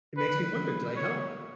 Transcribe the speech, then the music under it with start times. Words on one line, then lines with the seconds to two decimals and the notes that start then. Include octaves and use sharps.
It makes me wonder, "Did I help?"
0.18 B4
0.97 C#5